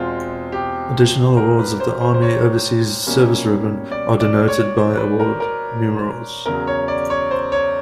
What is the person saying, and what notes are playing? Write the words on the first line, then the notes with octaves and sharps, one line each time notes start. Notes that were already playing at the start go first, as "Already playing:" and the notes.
Additional awards of the Army Overseas Service Ribbon are denoted by award numerals.
Already playing: E2 B2 G#3 C4 F4
G4
A#4
B4
C5
C5
C5
C#5
B2 G3 A#3 C#4
D5
D5
C#5
C5
B4
A#4
A#4
E2 C#3 F#3 A#4
C#5
D5
C#5
C5
C#5